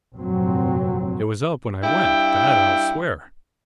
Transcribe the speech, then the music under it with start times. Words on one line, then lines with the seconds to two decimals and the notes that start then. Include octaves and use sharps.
'It was up when I went, that I'll swear.
0.16 F1 G2 A#2 F#3 C4
1.83 G2 E4 G5